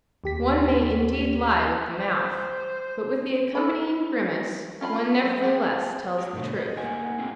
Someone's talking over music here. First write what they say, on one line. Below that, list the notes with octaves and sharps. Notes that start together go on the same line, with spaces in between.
One may indeed lie with the mouth; but with the accompanying grimace one nevertheless tells the truth.
D#2 G4 B6
C5
C#4 A4 B5
C#4 F4 A#5 B5
F#3 G#3 C5
G3 G#4 C#5 G5
F#4 G4 C#5
G#2 B2 D3 A3
B4 D#5
A#3 D#4 A#4 F#5 G#5
A3 C4 F4 G#4 G5